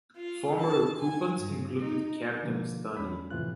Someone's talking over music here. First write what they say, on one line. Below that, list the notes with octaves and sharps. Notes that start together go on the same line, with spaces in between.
Former occupants included Captain Stoney.
F4
A5
G#5
G2
D#4
B2 D3 F3 A#3 F4
E2 C#4 D4 B5
F2 A2 C3 E3 F4 F#6